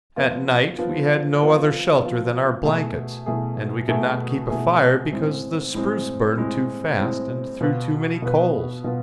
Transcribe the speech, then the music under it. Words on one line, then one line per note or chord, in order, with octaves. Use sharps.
At night we had no other shelter than our blankets, and we could not keep a fire because the spruce burned too fast and threw too many coals.
F3 B3 F4
F3 B3 F4
F3 B3 F4
F3 B3 F4
B2 A3 E4 G#4
B2 A3 E4 G#4
B2 A3 E4 G#4
B2 A3 E4 G#4
A2 G#3 C4
A2 G#3 C4
A2 G#3 C4
A2 G#3 C4
B2 B3 F4 B4
B2 B3 F4 B4
B2 B3 F4